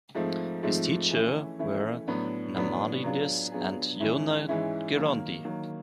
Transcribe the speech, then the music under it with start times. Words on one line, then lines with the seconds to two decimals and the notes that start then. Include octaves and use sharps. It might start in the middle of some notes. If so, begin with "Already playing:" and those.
His teachers were Nahmanides and Yonah Gerondi.
0.15 G#2 F3 A3 C4
0.63 G#2 F3 A3 C4
1.11 E3 A3 C#4 E4
1.59 E3 A3 C#4 E4
2.08 A2 F#3 B3 D4
2.56 A2 F#3 B3 D4
3.04 F#3 B3 D4 F4 G#4
3.52 F#3 B3 D4 F4 G#4
4.00 G#2 E3 G#3 C#4 E4
4.49 G#2 E3 G#3 C#4 E4
4.97 D#3 F#3 A#3
5.45 D#3 F#3 A#3